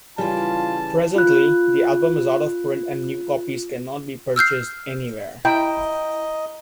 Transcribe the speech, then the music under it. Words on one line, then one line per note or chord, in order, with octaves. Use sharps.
Presently, the album is out of print and new copies cannot be purchased anywhere.
C#3 E3 G3 F4 A5
F4 F#6
E6 F6 G6 C7
E4 D#5 G5 A#5